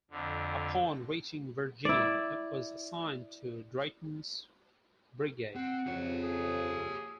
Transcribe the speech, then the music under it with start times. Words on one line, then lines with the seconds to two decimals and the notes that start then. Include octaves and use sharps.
Upon reaching Virginia, it was assigned to Drayton's Brigade.
0.11 F2 D3
1.85 E4 D5
5.55 C4 F#5
5.87 F2 C#3 G4 C#5
6.24 G#4